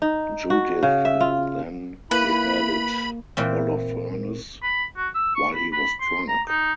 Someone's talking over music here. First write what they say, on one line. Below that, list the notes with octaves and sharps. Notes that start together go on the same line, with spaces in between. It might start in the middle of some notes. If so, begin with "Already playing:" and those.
Judith then beheaded Holofernes while he was drunk.
D#4
F#4
C#3
E5
F4
A#3 E4 B4 B5
A#2 E3 C4
B5
F#4
E6
C#6
B5
B5
C6
A#5
D#4